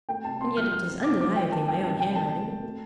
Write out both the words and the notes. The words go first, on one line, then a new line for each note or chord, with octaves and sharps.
And yet it is undeniably my own handwriting.
A3 G5
C3 A5
C3 C6
F3 F6
A3 F6
C3
C3 D6
F3 D6
F3 G5
A3 A5
F2 G5
C3 A5
C3 G5
A3 A5
C3
A3
A3